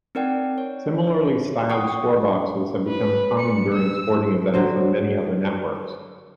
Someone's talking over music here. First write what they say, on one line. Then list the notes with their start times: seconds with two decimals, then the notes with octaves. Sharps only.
Similarly-styled score boxes have become common during sporting events on many other networks.
0.15 C4 D#4 A#4 D5 F#5 G5
0.58 C#5
1.70 F#5 G5 C#6 D#6
2.88 B4
3.40 C#7
3.74 E6
4.54 D3 F#3 C5